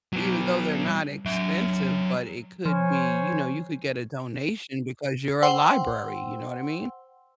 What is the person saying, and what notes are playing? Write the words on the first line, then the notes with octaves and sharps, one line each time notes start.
Even though they're not expensive, but it could be you know, you could get a donation because you're a library, you know what I mean?
F#3 B3
F#3 E5
F3 C5 C#5 G#5
C5 F#5 G5 C6 E6